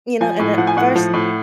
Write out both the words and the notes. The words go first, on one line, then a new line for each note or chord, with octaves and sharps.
you know, and at first
F3 G#5
A2
F3 F#5
G#5
A2 F#5
F3
A2